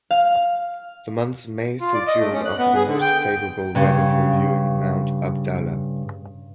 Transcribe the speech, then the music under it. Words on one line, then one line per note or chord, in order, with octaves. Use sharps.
The months May through June offer the most favorable weather for viewing Mount Abdallah.
F5
F4
D5
D#5
A3
C#4
F#6
B3
G#4
D3
G5
G2 C#3